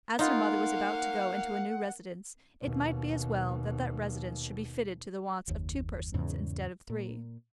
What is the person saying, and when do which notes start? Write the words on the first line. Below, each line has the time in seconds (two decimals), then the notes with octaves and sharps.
As her mother was about to go into a new residence, it might be as well that that residence should be fitted to the wants of two persons instead of three.
0.19 A#3 B3 D#4 F4 F5 F#5
2.61 D#2 B2
5.48 F#1 D#2
6.14 E2 G#2 C#3
6.90 A#2